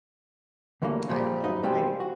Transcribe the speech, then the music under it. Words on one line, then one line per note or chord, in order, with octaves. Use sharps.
I don't know. I
D2 D3 E3 G3 A#3 C#4
A#2 F3 G3 G#4
F#2 D#4 B4 D#5
B2 F3 G3 G#3 C4 G4
F#4